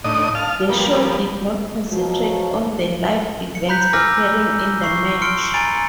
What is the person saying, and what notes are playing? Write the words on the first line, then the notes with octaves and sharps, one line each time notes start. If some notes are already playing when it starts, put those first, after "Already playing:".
The show did not concentrate on the live events occurring in the match.
A2 D4 D#4 D#5 D#6
F5 A5 F6
F3 G3 A#3 B3
B2 F3 F#3
C#7
A#5 B5 F#6 G6 B6 C#7
G#5 D6 E6 F6 A#6
C#6 C7
C6 F6 C#7 D7 G7
G#5 A#5 B5 A6 C#7 D7